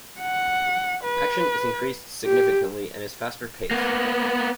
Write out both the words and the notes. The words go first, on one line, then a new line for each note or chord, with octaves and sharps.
Action is increased significantly and is faster-paced.
F#5
B4
G4
A#3 B3